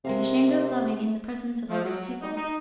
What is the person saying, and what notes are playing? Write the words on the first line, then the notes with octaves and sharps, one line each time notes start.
Ashamed of loving in the presence of all these people.
C3 G#3 A#4 F5
F3
F#3
D#4
D#4